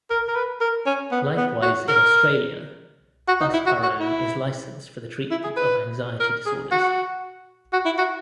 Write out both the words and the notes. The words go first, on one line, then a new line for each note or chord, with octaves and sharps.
Likewise in Australia, buspirone is licensed for the treatment of anxiety disorders.
A#4
A#4
B4
A#4
C#4
B3
B3
F#4
A#4
F#4
D#4
E4
F#4
F#4
E4
E4
G#4
B4
A#4
G#4
F#4
F#4
E4
F#4